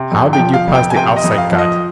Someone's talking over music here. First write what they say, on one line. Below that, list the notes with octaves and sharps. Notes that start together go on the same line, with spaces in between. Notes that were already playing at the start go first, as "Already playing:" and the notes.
"How did you pass the outside guard?"
Already playing: C3
F2
G5
F3
F5
F2
G5
G#5
C3 G5
D#5
F2
F5
F3
D#5